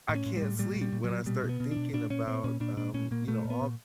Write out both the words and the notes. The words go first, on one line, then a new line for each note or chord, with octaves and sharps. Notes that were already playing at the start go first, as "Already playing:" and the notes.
I can't sleep when I start thinking about, um, you know, all
A2
C#4
A2
G3
A2
A#2 G3
A#2
G3
A#2
F#3
A#2
B2 G3
B2
B3
B2
D4
B2
A#2 D4
A#2 C#4
A#2 C4
A#2 C#4
A#2 D4
A#2 D4
A#2 C#4
A#2 A#3
A#2 A3
A#2
B3
A#2